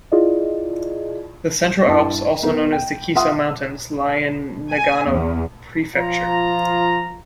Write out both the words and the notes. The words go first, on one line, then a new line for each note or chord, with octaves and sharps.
The Central Alps, also known as the Kiso Mountains, lie in Nagano prefecture.
E4 F4 G#4 D5 D#5
G2 E4 A5
B3 D#4 A#4
G5
F4 E5 F#5 C6 D#6
G#5
E2
F3 F4 A#5